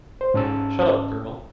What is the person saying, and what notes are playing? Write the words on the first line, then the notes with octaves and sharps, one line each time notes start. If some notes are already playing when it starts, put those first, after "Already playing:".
Shut up, girl!
C5
G#2 C#4 A5 E6